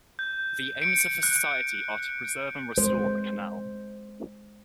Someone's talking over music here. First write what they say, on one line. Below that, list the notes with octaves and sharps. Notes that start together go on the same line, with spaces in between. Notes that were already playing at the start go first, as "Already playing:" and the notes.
The aims of the society are to preserve and restore the canal.
G6
C#7 D7
F#6
G#3 C5